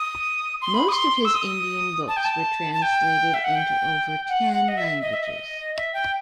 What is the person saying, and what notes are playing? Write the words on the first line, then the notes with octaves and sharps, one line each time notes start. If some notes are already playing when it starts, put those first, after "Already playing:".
Most of his Indian books were translated into over ten languages.
Already playing: D#6
C6
B5
D#6
C6
E6
D#6
A5
G5
A5
A5
G5
E5
F#5
G5
F#5
F#5
D#5
E5
D#5
E5
D#5
E5
G5